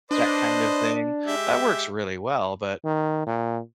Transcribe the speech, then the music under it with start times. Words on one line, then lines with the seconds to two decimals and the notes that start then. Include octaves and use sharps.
that kind of thing that works really well, but
0.11 D4 B4 C5 D#5
1.26 G#3 G4 E5
2.84 D#3
3.27 A#2